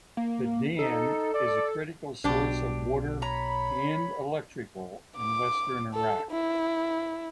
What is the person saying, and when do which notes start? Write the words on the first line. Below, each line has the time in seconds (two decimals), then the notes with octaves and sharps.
The dam is a critical source of water and electrical in western Iraq.
0.17 A#3
0.79 D#4 A4
1.34 D5
2.24 B1 B2 D4 G4
3.22 C#5 A#5 B5
5.17 D6
5.94 A4
6.31 E4